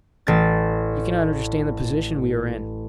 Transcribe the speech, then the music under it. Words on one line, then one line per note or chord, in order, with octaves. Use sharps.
You cannot understand the position we are in.
A1 A6